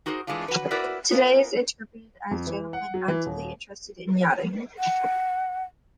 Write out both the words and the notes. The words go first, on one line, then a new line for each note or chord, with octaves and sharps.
Today this is interpreted as a gentleman "actively interested in yachting".
D#4 F#4 G#4 A#4 C5
E3 G#3 A3 D4 F4
F#4 B4
E4 F#4 A#4 B4 D5 E5
B3 C#4 F4 A#4
F2
E3
F#5
F#3
E3
D#1
F#5